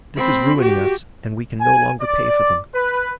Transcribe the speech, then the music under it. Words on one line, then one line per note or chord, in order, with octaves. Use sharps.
This is ruining us, and we can no longer pay for them.
C4 B5
F#4 G4
G#5
D5
B4